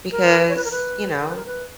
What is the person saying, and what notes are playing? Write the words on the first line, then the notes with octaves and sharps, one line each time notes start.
because, you know
A#4
C#5
B4
A#4
B4
A#4
B4
A#4
B4